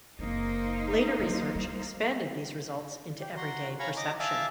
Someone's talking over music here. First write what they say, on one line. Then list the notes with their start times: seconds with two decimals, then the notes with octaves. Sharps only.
Later research expanded these results into everyday perception.
0.19 F#1 A#3 C4 D#4 C5
1.19 E3 F#3
1.55 G3
3.21 G4
3.37 F#4 A#5 C6
3.79 C#5 F5 G#5 A#5 B5 C#6
3.97 D#5 A#5 D6
4.20 E5 F5 G#5 A5 D6